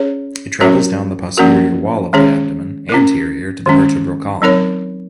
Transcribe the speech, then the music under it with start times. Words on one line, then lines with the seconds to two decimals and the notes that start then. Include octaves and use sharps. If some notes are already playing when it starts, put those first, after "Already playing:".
It travels down the posterior wall of the abdomen, anterior to the vertebral column.
Already playing: C#4 G#4 C#5
0.60 F#3 C#4 F#4 A#4 C#5
1.37 F3 A#3 C#4 F#4 A#4
2.13 D#3 G#3 C#4 G#4 C#5
2.89 C#4 F4 A#4
3.66 D#3 G#3 C#4
4.42 F#3 C4 D#4 A#4 C#5